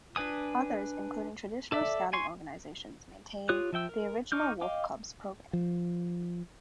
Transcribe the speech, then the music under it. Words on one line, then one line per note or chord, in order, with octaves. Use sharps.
Others, including Traditional Scouting organizations, maintain the original Wolf Cubs program.
D4 B4 G#5 D#6
A4 D5 E5
G#5 C6 C#6
F4 G4 C#5 D#6 F#6
F3 E5 G5 E6
A#4
D#4 C#6 D6 F6 G6
D#5 F5 G5 D6
F3